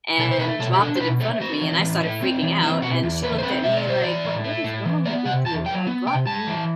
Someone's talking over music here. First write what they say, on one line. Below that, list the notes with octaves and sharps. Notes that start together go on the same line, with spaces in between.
and dropped it in front of me, and I started freaking out. And she looked at me like, what what is wrong with you? I brought you
B2 A4
C5
A3 B4
B2 A4
G4
D4 A4
C5
B2 B4
A3 A4
C4 F#4
E3
A2
A3
C4
E3
C4 E4
B2 F#4
E2
A3 B4
C5
C4 B4
B2 E5
D5
A2
C5
E3 D5
A2
A3
A2
E3
B3 D5
C3 F#5
E2 A5
F#3 G5
B3
C3 G5
G2 A5
E3